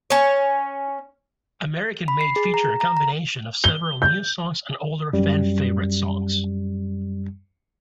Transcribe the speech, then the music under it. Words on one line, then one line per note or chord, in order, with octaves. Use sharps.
American Made featured a combination of several new songs and older fan-favorite songs.
C#4 C#5
B5
C7
G#4
A#5
A#5
A#5
G7
G6
F#2 G3